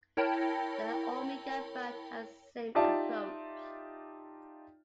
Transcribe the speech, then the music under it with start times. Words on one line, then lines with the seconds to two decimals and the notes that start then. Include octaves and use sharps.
The Omega brand has the same approach.
0.17 E4 A#4 C#5 G5 A5 B5
2.75 D#4 F4 G4 D5 E5 A5